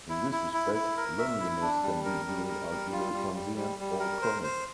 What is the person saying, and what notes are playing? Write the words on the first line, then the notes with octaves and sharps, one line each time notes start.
In this respect, loneliness can be viewed as either transient or chronic.
E4
E4
E4
E4
A#4
E5
E4
D4
G3
A#4
G3
A#4
G3
F4
G3
G3
G3
G3
A#4
C5
C5